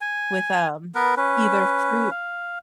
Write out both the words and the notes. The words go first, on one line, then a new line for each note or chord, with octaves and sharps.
with, um, either fruit
G#5
B3 A#4 B4
C#4 B4
F5